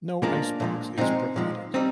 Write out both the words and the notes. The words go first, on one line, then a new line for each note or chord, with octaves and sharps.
No icebox is provided.
A#2 F3 G#3 A#3 D4
A#2 F3 G#3
A#2 F3 G#3 C4 D#4
A#2 F3 G#3
G3 C4 D#4